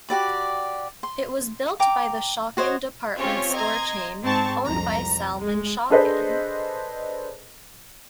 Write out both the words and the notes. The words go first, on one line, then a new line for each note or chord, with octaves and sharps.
It was built by the Schocken department store chain owned by Salman Schocken.
F#4 G4 D5 B5
C6
G5 A#5 D6
F#4 C5 C#5 D#5
C4 C#4 F4 G4 C#5
D#5 A#5 C6 G#6
G#2 C4 A5 C#6
C2 F2 A#5
G#3
D4 G#4 A4 B4 C5 D#5